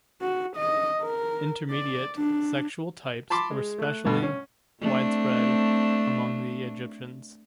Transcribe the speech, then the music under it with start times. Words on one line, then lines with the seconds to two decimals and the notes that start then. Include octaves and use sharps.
Intermediate sexual types were specially widespread among the Egyptians.
0.21 F#4
0.56 D#5
1.02 A#4
1.71 D5
2.18 D4
3.30 A5 B5 C6 D6
3.50 G#3
3.78 A3 F#6
4.05 G2 B2
4.22 C#4
4.81 A3 C4 D4